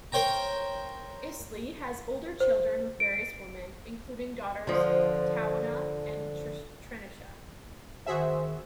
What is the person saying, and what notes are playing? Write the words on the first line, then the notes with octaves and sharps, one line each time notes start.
Isley has older children with various women, including daughters Tawanna and Trenisha.
A#4 C5 C#5 G5 A#5
C5
D7
D3 F3
D#3 F#4 G#4 C5 E5